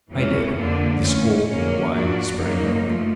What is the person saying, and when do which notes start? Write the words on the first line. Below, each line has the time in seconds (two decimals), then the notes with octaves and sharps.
'I did; this old wide-spreading oak.
0.10 E2 C3 E3 G#3 C#4
0.56 F2 D3 F3 A#3 D4
1.02 E3 A3 C#4
1.47 F2 D3 F#3 A#3 C#4
1.93 G#2 F3 A#3 D4 F#4
2.39 F#2 C#3 F#3 A#3 D#4
2.84 F3 A3